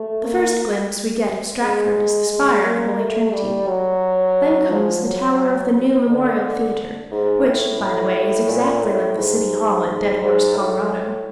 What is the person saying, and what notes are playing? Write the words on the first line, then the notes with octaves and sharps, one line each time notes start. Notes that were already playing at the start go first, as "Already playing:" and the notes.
The first glimpse we get of Stratford is the spire of Holy Trinity; then comes the tower of the new Memorial Theater, which, by the way, is exactly like the city hall at Dead Horse, Colorado.
Already playing: A3
A#3
G#3
G#3
A#3
A3
G3
F#3
F3
F#3
D3
G#2
A2
A2
A#2
A2
G#2
G#2
G#2
A2